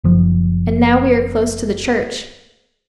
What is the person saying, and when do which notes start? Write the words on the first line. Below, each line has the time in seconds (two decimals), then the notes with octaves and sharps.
And now we are close to the church.
0.04 F#1 F3